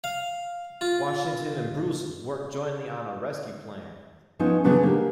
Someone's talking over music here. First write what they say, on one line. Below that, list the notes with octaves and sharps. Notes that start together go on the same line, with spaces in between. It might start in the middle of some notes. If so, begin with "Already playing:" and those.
Washington and Brussels worked jointly on a rescue plan.
F5
F4
F3 B3 C#4 D#4
C#3 E3 F#3 B3 D4 D#4
A#3 G4